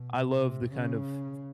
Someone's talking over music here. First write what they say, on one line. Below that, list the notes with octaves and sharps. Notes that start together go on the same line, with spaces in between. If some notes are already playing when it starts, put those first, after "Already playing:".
I love the kind of
Already playing: B2
C3
C#3